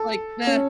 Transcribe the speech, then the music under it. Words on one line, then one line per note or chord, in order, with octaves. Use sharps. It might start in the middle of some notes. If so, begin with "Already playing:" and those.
Like the
Already playing: A4
C#4